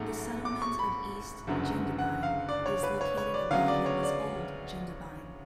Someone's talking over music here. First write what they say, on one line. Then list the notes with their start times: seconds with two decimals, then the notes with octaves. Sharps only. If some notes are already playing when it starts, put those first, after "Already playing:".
The settlement of East Jindabyne is located above what was Old Jindabyne.
Already playing: A1 G#2 F#3 A3
0.45 D6
0.62 C#6
0.79 B5
1.47 F#1 F#2 D3 F#3 B3
1.99 F#5
2.23 F5
2.49 D5
2.66 C#5
2.83 B4
3.01 C#5
3.17 C#5
3.34 D5
3.51 D2 C#3 F#3 B3 F5
3.68 D5
3.86 C#5
4.03 D5